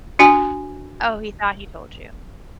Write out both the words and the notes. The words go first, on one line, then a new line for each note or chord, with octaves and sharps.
Oh, he thought he told you.
D4 F#4 G#5